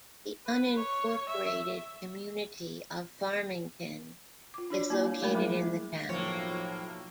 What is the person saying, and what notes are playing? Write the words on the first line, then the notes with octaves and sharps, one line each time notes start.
The unincorporated community of Farmington is located in the town.
B4
C#5
E5
F4 D6
D4 F#4 C#5 D5
A#3 E4 G#5
G3
G#3 A3 A#4 B5
F#3 E4 G#4
B1 A2 F3 A#3 C#5